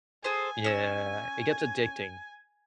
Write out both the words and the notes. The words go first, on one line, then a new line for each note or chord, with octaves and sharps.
Yeah, it gets addicting.
G#4 A4 C5 G#5
C#4 E6